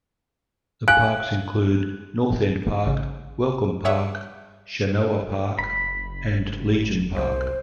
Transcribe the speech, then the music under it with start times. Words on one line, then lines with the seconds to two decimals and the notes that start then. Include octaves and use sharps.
The parks include: North End Park, Welcome Park, Shanoah Park, and Legion Park.
0.88 F5 G#5 F#6 D7
2.86 A1 C#3
3.85 G#4 C#5 E5 F#5
5.59 F#1 B5
7.15 C2 C5